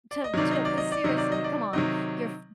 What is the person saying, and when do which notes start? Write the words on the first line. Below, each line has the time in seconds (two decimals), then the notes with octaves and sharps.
to to 'cause seriously, come on, you're f
0.11 D5
0.24 D#5
0.34 C3 D#3 F#3 D5
0.51 D#5
0.65 D5
0.78 D#5
0.92 D5
1.04 C3 D#3 F#3 D#5
1.18 D5
1.32 D#5
1.44 D5
1.73 C3 D#3 F#3 D#5